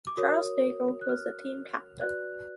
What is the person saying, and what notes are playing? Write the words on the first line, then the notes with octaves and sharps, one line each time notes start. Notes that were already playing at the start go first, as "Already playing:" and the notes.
Charles Nagle was the team captain.
D6
F#4 A#4 C#5 D#6
F#6
F6
F#4 B4 D5 F#6